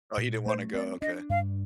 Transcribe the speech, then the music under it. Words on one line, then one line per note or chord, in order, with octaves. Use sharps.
Oh, he didn't wanna go, okay.
A#2
A3 C5
C4 D5
D4 D#5
G2 F5